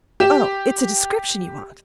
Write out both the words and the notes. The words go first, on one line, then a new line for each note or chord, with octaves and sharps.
"Oh, it's a description you want?"
G4 E7